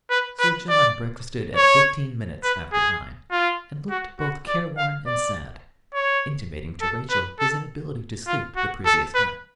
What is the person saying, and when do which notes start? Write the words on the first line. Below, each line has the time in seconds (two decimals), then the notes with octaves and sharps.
Sir John breakfasted at fifteen minutes after nine, and looked both careworn and sad, intimating to Rachel his inability to sleep the previous night.
0.10 B4
0.40 B4
0.69 D5
1.56 C#5
2.44 B4
2.73 G#4
3.31 F4
3.90 F#4
4.19 F#4
4.48 D5
4.77 F5
5.06 D5
5.94 C#5
6.81 A4
7.10 B4
7.39 A4
8.27 F4
8.56 F#4
8.85 A4
9.14 B4